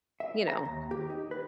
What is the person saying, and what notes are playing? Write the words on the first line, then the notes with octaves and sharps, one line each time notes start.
you know.
E5
A#5
D#2
G4
D#4
B4